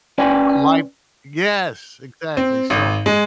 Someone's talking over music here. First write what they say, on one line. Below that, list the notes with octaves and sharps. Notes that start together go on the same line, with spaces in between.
l life Yes, exactly. So,
C#4 B4 D5 G5 G#5
C4
G#1
G#3